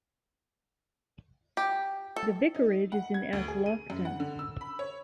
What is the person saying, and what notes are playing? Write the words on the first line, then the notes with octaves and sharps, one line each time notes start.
The vicarage is in Aslockton.
G4
A4
D#4
F#5
G#6
D2
G#4
D#7
F#2
F#5
D3
E6
B5
C#5